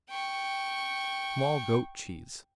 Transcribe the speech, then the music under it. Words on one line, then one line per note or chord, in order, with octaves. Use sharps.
Small goat cheese.
G5 C#6